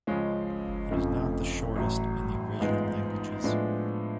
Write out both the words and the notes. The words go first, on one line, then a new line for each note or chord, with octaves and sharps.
It is not the shortest in the original languages.
C#2 C#3 F3 G#3 C#4
F1 F2 C#3 F3 A3
A1 A2 F#3
A1 G#2 G#3 B3 F4
A2 F3 G#3 B3 D4